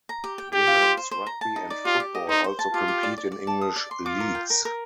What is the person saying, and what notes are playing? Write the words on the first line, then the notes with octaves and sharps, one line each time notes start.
Women's rugby and football also compete in English leagues.
A#5
G4
G5
G4 G5
F4
C5
C5
C5
A#5
A5
D#4
D5
F4 G4
G4
D#5
D#4 C5
C5
A5
F4 G4
G4
D5
D5
D5
A5
D#6
D5
C6
F4 D6
A#4
G5
A#4
A#4